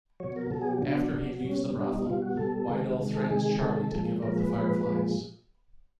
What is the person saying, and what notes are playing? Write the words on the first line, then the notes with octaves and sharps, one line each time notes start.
After he leaves the brothel, Wydell threatens Charlie to give up the Fireflys.
B2 F#3 C#5
A#4
B2 F#3 A4
G#4
G4
B2 F#3 D4
B2 F#3
B2 G3 C#4
B2 G3 D4
D#4
B2 G3 F4
F#4
B2 G3 A4
C3 D#3 G#3
C3 D#3 G#3
A4
C3 D#3 G#3 G#4
G#4
C3 D#3 G#3 A4
A#2 F3 G#3
A#2 F3 G#3 A#4
B4
A#2 F3 G#3 B4
A#2 F3 G#3